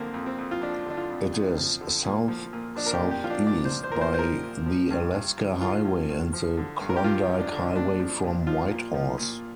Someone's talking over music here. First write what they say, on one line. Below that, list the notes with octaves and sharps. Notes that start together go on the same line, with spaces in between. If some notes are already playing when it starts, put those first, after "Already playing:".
It is south-southeast by the Alaska Highway and the Klondike Highway from Whitehorse.
Already playing: F2 D3 F3 A#3 C4
F2
C4
F2
F4
F3 D4
D3 D4
F4
F2
F2
F3
D3
A#2
F3
A#2
F3 D4
A#4
G4
A#2
G4
F3 F4
D4
A#2 D5
C5
F3
C5
A#2 A#4
C5
C5
F3 A#4
A#2
F3
G2
G2
F3
D3 F4
G2
G2
F3
D3
G2
A#4
G4
G2 F4
F3
D4
D3
A#2 D4
F3
A#2
F3 F4
A#2
F3
A#2